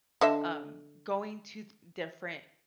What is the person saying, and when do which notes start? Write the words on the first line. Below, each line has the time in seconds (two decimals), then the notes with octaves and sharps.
um, going to th different
0.21 D3 D#5 E5